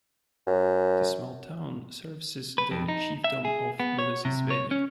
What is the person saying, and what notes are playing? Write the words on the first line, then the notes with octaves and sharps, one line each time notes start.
This small town services the chiefdom of Velezizweni.
F#2
B4
F2
D#4
E5
G#4
B3
C#5
C3
C#5
C#4